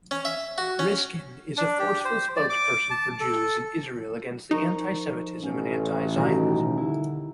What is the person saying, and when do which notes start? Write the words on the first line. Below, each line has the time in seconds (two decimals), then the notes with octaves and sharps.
Riskin is a forceful spokesperson for Jews and Israel against anti-Semitism and anti-Zionism.
0.11 C#4
0.25 E5
0.58 F#4
0.79 C#4
1.57 D4
1.79 G4
2.05 C5
2.36 D5
2.49 D6
2.90 A5
3.20 A4
4.51 F3 D#4 A#4 C#6
5.42 A1 C#4
6.16 D#1 B2 G4 A#5
6.77 D3 E4